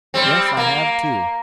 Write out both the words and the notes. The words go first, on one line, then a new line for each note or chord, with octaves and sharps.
Yes, I have, too!
G3 C4
A#3